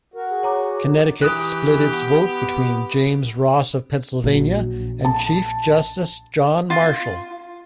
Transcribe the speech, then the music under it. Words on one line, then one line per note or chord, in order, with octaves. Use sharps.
Connecticut split its vote between James Ross of Pennsylvania and Chief Justice John Marshall.
F#4 A#4
G#4
C#5 A#5 D6
E3 G4 D#6 F#6
B3
A#1 F#3
A5
F4